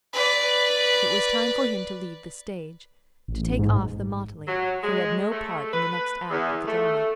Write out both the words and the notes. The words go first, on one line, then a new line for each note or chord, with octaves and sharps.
It was time for him to leave the stage, to take off the motley, for he had no part in the next act of the drama.
B4 D5
A1
G#2
F#3
G#3
A3
B4
E2
A3